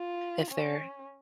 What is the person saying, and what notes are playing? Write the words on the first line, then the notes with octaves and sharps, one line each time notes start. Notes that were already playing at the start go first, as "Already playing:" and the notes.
if they're
Already playing: F4
C#4